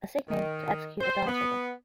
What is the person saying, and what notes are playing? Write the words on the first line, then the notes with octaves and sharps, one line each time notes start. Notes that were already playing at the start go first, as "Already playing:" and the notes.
A signal to execute a dance figure.
D#3
C5
B3